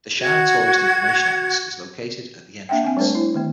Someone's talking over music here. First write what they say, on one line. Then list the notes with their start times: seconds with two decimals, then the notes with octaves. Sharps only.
The shire Tourist Information Office is located at The Entrance.
0.19 F#4 G#6
2.69 A#3 D4 E5 F#5 G5
2.84 C4 G#5
2.97 G3 A3 D4 A#4 C5
3.15 E4
3.34 D#3 A3 B3